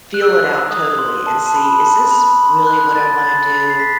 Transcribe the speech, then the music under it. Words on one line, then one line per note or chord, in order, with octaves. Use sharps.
f feel it out totally and see, is this really what I wanna do
F#6
E6
F#6
E6
D#6
C6
A5
A5
B5
A5
B5
C6
F#6
A6
A6
A6
C7
B6